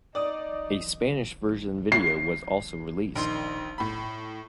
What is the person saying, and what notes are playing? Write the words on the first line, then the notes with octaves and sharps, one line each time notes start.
A Spanish version video was also released.
D#4 D5 D#6
C7
A#1 D#3 C6
A2 B5